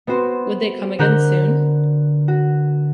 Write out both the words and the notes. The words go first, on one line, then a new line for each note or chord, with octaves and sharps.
Would they come again soon?
B3 C4 F#4 C5
D3 A#4 F#6 G6
F#4